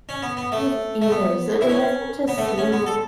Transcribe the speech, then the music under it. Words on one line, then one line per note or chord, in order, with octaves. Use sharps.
It is, an and I think just seeing,
C#4
B3
B3
A3
A3
B3
E4
C#4
B3
A3
B3
C#4
B3
A4